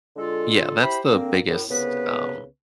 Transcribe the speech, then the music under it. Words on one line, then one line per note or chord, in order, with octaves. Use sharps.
Yeah, that's the biggest, um
D3 G#3 F4 A4
E4 G4 C5 B5
D3 A#3 C4
F#2 A2
C2 C#3 B3 B4